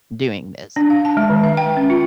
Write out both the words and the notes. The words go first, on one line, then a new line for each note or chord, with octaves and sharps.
doing this.
D4
F5
A5
G#3
D#3
E5
G5
C#4
F4